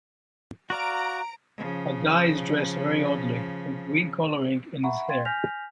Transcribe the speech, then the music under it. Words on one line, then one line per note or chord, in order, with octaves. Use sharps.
A guy is dressed very oddly, with green coloring in his hair.
F#4 D5 F5 A#5 D7
C#3 F3
E5 F#5 A#5 B5 C#6
F5 G5 C6 G#6 A6
G#5 F6 G6 A#6 B6 F7